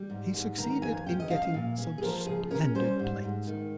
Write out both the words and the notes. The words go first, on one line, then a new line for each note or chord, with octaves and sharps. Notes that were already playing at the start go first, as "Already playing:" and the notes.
He succeeded in getting some splendid plates.
Already playing: G3
G#2
G#2
D#3 A#5
F2 G#5
C#4 G5
D#5
F3 F5
A#2
C#4
G#4
F3 A#4
C#3 G#4
C#4 A#4
G3 C5
G#2
G#2
D#3